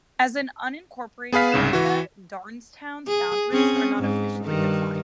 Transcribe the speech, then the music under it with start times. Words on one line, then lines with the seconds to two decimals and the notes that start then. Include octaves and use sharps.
As an unincorporated area, Darnestown's boundaries are not officially defined.
1.32 B3 G#4 B4 F5 B6
1.52 C2 G#2 C#3 E7
1.73 E3 F#4
3.07 G#4
3.51 C4 C#4 G#4
3.98 G#2
4.44 G2 D#3